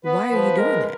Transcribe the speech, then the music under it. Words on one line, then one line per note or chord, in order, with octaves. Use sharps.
why are you doing that?"
B3 B4
F3 B4
G#3 A#4